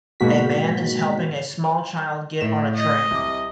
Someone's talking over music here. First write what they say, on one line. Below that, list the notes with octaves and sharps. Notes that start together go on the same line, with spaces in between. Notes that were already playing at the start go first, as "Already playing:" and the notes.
A man is helping a small child get on a train.
G#2 B2 A#3 F#4 B6
A2 A3 E7
D#5
C2 D6